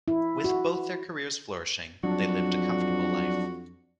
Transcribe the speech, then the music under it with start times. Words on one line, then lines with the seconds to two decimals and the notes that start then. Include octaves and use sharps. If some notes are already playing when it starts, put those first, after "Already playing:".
With both their careers flourishing they lived a comfortable life.
0.08 E4
0.44 F#4
2.03 F2 F#3 G3 D4 F#4